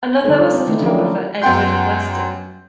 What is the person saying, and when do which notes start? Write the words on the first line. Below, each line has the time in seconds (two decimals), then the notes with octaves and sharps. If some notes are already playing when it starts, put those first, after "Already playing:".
Another was the photographer, Edward Weston.
0.24 D3 G3 D4 D#4 A4 C5
0.39 F4
0.53 C4
0.67 D#3 A3 D#4 E4
0.80 F3 F#3 C#4 D4 E4 G4
0.95 F4 A#4
1.42 F#2 B3 F#5 G5 C6 G6